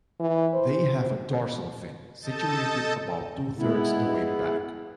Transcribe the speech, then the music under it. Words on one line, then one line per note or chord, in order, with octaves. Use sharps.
They have a dorsal fin, situated about two-thirds the way back.
E3
C5
A4 D#5 A5 G6 A6
G#3 B3 E4